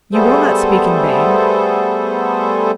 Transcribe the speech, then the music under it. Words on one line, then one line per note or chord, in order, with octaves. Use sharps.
You will not speak in vain.
G3 A3 B3 G#4 A4 C5